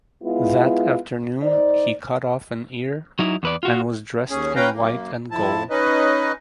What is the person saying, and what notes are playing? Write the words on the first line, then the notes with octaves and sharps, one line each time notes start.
That afternoon he cut off an ear and was dressed in white and gold.
G#3 B3 E4 F4
D#4 C5 D5
F#3 D#4 E4
E2 B4 D5
F4 F#4
D#2 C#4 G#4
C#4 B4 F5 G5 A#5
F#2 A#3
F2 F3 E4 A5
C#4 D#4 B4 D#5